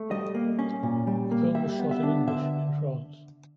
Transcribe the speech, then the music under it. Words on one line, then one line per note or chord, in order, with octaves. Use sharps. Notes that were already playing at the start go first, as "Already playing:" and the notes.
The film was shot in English in France.
Already playing: A3
G3 D#5
A#3
C#4
A#2
G3
A#3
G3 E5
B3
E5
D4
D3 E5